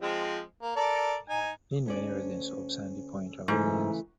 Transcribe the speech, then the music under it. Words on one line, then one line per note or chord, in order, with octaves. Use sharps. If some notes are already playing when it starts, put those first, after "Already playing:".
There have been many residents of Sandy Point over the years.
F3 G#3 C4
A#3
A4 A#4 D5
D#4 G#5
D2 C#4 D5
G#2 C#3 E3 A3